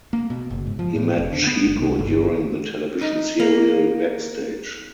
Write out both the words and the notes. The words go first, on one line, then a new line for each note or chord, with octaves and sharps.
He met Tshepo during the television serial "Backstage".
A#3
B2
F#1
G#2
F3
A2
E1
D3
B3
F#1
C2
G1
D#4
A#3